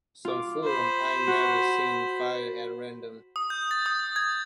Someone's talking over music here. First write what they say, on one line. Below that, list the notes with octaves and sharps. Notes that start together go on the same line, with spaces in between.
Some fool I'd never seen fired at random.
F4 D6
C5 B5
F#4
D#6
G6
A6
D#6
G#6